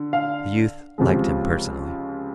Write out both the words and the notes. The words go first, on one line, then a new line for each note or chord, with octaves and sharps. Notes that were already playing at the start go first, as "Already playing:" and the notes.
The youth liked him personally.
Already playing: D3
F5
C#2 C3 F3 G#3